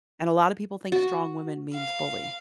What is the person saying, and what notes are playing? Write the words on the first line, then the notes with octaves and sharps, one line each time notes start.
and a lotta people think strong woman means bully.
F#4
F5